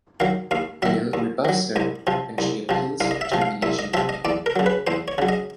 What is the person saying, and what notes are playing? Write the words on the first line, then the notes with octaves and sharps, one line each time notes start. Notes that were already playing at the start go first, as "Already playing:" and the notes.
Mill rebuffs her when she appeals her termination to him.
D#3 F#3 F5
D#2 F5
D#3 F#3 E5
D#2
D#3 F#3
C2 D#5
C3 F3
C2
C3 F3
C2 F5
D#5
E5
C3 F3
F5
C2 E5
D#5
C3 F3 E5
D#5
E2 D5
A#4
C#3 F#3
B4
E2 C5
C#5
C#3 F#3
D#5